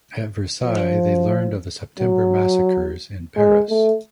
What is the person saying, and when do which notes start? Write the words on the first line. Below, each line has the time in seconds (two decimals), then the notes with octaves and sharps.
At Versailles, they learned of the September Massacres in Paris.
0.63 F3
2.00 F#3
3.36 G#3
3.69 A3